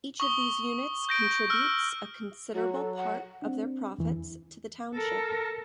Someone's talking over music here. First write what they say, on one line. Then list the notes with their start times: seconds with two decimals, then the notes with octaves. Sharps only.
Each of these units contributes a considerable part of their profits to the township.
0.20 C#6 D#6 G7
1.09 G6 A#6 D7
1.50 E6 F6
2.54 F#3 F#4
2.73 A4
2.96 F#5
3.42 C4 D4
3.98 E2 E3
4.95 A4 A#4